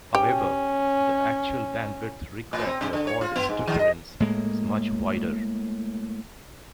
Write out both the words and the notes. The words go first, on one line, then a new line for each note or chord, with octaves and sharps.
However, the actual bandwidth required to avoid interference is much wider.
C#4 G4
A2
C4
C3
D3
C#5
F4
B3
G#2
D#3
D#5
A2 G#3 A#3